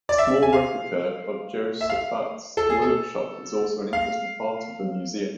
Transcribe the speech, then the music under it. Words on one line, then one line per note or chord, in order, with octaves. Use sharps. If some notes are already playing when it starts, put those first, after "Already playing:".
A small replica of Josafat's workshop is also an interesting part of the museum.
D5
E5
G#5
F5
E5
F5
A4
G#4
A4
F5